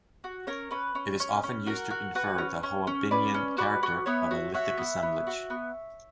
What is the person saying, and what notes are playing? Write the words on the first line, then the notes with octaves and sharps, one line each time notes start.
It is often used to infer the Hoabinhian character of a lithic assemblage.
F#4
C#4 A#4 C#5
C#4 B4
C#4
C#4
C#4
F#4 A#4
F#4
F#4 B4
C#4
C#4
C#4
C#4 B4 D5
C#4
F#4 B4 D5
F#4
B3 C#5 E5
F#4
F#4 C#5 E5
B3
B3
F#4
B3